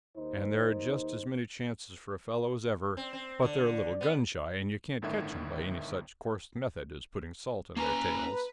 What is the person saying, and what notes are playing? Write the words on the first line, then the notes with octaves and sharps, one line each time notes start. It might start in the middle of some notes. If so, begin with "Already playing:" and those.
And there're just as many chances for a fellow as ever, but they're a little gun shy, and you can't catch them by any such coarse method as putting salt on their tails.
D#2 D#4 C5
C4
C4
D3
B3
G1 A2 D3 D#3 E5 G#6
A#3 C#4 B4 G#5 A#5